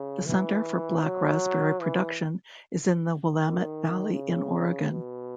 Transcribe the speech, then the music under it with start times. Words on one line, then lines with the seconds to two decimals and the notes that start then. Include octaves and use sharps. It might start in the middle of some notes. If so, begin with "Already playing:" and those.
The center for black raspberry production is in the Willamette Valley in Oregon.
Already playing: C#3
0.26 E3
1.03 F#3
1.81 E3
3.35 D#3
4.13 C#3
4.91 B2